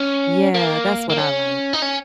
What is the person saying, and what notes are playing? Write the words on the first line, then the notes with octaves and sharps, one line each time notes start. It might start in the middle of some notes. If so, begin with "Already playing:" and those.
Yeah, that's what I like.
Already playing: C#4
A#3
A#3
C#4
D#4
C#4